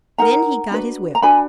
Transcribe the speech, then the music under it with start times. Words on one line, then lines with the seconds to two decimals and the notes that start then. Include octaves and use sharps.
Then he got his whip.
0.18 D#4 A#4 F#5 A#5
0.71 D4 F#4 B4
1.15 A#5
1.22 D4 F#4 B4 G#5 B5